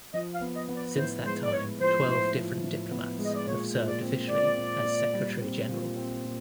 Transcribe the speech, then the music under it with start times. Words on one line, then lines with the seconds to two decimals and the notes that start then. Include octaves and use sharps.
Since that time, twelve different diplomats have served officially as Secretary General.
0.14 F3 D#5
0.35 F5
0.41 B3
0.55 D#5
0.69 B3
0.76 D5
0.96 A2 C5
1.24 G#3 C5
1.43 D5
1.53 G#3 C#5
1.80 F3 C5
2.08 A2
2.35 F3
2.64 A2
2.91 B3
3.18 G#3
3.24 D#5
3.35 D5
3.47 A#2 C#5
3.74 A#2
3.87 D5
4.02 C4
4.29 A#2 D5
4.58 A#2
4.85 A#2
5.13 G3
5.41 C4
5.69 A#2
5.96 C4
6.24 A#2